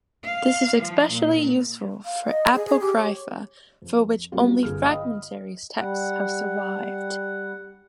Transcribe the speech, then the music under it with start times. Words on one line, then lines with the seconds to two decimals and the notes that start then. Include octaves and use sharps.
This is especially useful for apocrypha for which only fragmentary texts have survived.
0.24 F5
0.80 F3
1.11 A#2
2.05 F5
2.26 D#5
2.53 G#4
2.66 G#4
2.80 G4
2.96 C#5
3.82 F2
4.32 F#3 G3 A#3 C4 F4 F#4
4.63 G1 D3 F4 G#4 F6
4.82 D#5 F5 G5 B5 D#6
5.76 G3 F#5